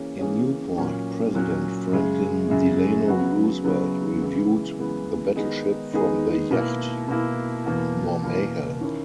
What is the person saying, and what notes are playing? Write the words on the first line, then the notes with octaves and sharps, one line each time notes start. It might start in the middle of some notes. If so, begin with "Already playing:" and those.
In Newport, President Franklin Delano Roosevelt reviewed the battleship from the yacht "Nourmahal".
Already playing: E3 A#3 C#4 G#4 C#5
E3 A#3 C#4 G#4 C#5
A#2 F#3 C#4
A#2 F#3 C#4
F#2 C#3 G#3
F#2 C#3 G#3
C#3 F#3 B3 F#4
C#3 F#3 B3 F#4
C#3 E3 G#3 B3 E4
C#3 E3 G#3 B3 E4
D#3 G#3 B3 D#4 G#4
D#3 G#3 B3 D#4 G#4
B2 A#3 E4
B2 A#3 E4
E2 B2 A#3
E2 B2 A#3
D#3 A#3 C#4 E4 A#4